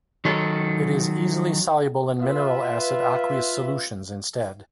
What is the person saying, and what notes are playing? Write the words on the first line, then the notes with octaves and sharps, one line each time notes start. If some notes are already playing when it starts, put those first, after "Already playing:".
It is easy soluble in mineral acid aqueous solutions instead.
D#3 F#3 A4
F4 B4 E5